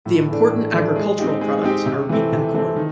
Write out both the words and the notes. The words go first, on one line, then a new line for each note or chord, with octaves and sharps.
The important agricultural products are wheat and corn.
A2
E3 A3 D4
A2
E3 A3 D4
G#3
C4 D#4 G4
G#3
C4 D#4 G4
C3
E3 A3 C4
C3
E3 A3 C4
D#3